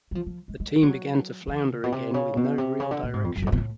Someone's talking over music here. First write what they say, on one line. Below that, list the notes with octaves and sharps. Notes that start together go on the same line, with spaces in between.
The team began to flounder again with no real direction.
F#3
F3
F3
G#3
G#3
F#3
E3
A#2
B2
C3
C#3
B2
C3
C#3
D3
A#2
G#2
F2
F#2
G2
G#2
A#2
A2